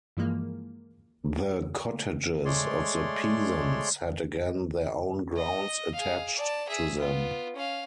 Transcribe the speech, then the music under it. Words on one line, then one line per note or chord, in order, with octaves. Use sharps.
The cottages of the peasants had again their own grounds attached to them.
G2 E3 F3 G#3 A#3
G#3 A3 C#5 D5 C6
D#5
G#4 F5
D5 A5
G#4 E5
B3 F4
C#4 F5